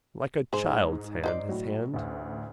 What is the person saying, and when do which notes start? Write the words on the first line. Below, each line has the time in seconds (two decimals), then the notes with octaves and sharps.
Like a child's hand, his hand.
0.53 G#2 G#4 C5
1.24 D#4 C5 D5
1.49 A2 F#3
1.94 A1 D2